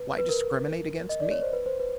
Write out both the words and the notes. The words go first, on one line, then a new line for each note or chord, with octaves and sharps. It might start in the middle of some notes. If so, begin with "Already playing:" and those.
Why discriminate against me?
Already playing: B4
B4
A#4
D#5
D5
C#5
C5
B4
C5
B4